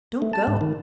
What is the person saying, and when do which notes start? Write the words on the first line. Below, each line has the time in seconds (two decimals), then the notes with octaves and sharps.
Don't go.
0.22 A3
0.33 A5
0.47 G#2
0.61 D#3